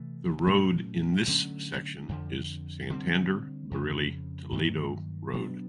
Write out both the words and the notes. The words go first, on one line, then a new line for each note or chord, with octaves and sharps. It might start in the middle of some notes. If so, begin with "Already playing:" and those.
The road in this section is Santander–Barili–Toledo Road.
Already playing: C3 E3 A3
A#2 F#3 A3 C#4
D3 F#3 A3 C#4
F2 D3 F3
D3 G3 C4
F2 C#3 F3
G2 D#3 F#3 A#3
B2 F#3 B3 D4